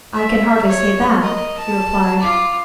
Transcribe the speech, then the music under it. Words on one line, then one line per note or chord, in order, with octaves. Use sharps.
"I can hardly say that," he replied.
E5
C#5
A#4 D#5
A5
F4 D6